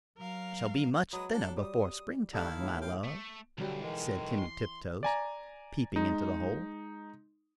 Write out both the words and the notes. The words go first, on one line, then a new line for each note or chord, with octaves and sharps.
"I shall be much thinner before springtime, my love," said Timmy Tiptoes, peeping into the hole.
F#3 A#4 F5
F#3 G#3 B4 D#6
D4 A4
G3 D#6
D#3 G3 A3 D#4 E4 A4 F5
D#2 A2
F5 G5
A3
B1 D3 F#3 G3
D#3 E3 G#3
C6
D5 G#5 A#5
G#3 D#4